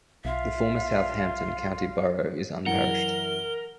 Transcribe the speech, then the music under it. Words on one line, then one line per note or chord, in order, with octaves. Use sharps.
The former Southampton County Borough is unparished.
B1 F4 E5 F5
F#2 E3 A#4 F#5 G7